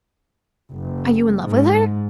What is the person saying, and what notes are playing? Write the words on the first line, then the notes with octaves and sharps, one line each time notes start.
"Are you in love with her?"
F#1
G#2